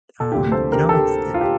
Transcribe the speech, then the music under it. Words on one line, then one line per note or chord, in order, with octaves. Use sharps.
um, you know, it's it
A4
D2 C3 F3 A#3 D4 G4
A4 C5
G4 A#4
A4
G4
F4
G4